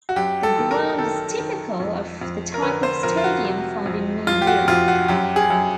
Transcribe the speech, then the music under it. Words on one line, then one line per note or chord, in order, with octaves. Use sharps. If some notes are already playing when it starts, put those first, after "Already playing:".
The ground is typical of the type of stadium found in New Zealand.
F#4
F#2 G4
A4
D#3
A#4
D#3 A4
D#3
F2
F2
A#4
D3 B4
C5
F2 A#4
F4
F#4
C3
F2
F2 F4
G4
F#4
F2 F4
F#4
F#2 G4
G#4
F#2